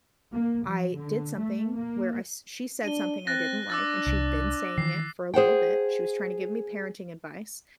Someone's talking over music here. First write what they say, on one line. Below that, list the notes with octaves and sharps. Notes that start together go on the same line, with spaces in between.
I did something where I s she said something I didn't like and she'd been saying it for a little bit. She was trying to give me parenting advice
A#3
F3
D3
A3
A#3
D4 D#7 G7
C4 F#6 A6 A#6
D4 D6 E6 A6
C2
D#3 E3 C7
G#4 C5 F#5 G5